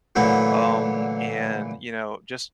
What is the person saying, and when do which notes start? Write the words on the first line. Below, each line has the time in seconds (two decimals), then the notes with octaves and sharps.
um, and, you know, just
0.16 A#2 D3 E3 F#3 A3